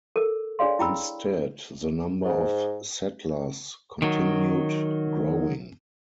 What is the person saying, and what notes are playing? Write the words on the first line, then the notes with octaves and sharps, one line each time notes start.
Instead, the number of settlers continued growing.
A4 A#4
D4 G#4 C#5 D5 F5 C6
E4 G5 B5 E6
G#2
D#3 F#3